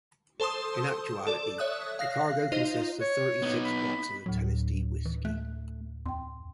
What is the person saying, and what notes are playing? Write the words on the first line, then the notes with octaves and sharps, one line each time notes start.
In actuality, the cargo consists of thirty-six bottles of Tennessee whisky.
A4 C5 A5 C6 D#6
A4 D5
C#5 E5 D#6 F#6
F5 F#6 A#6 C7
D#4 F4 C5 D#5
C#5
B3 D#4
B5
D2 A2 F#3
E3
A3 F#6
F2 G5 C6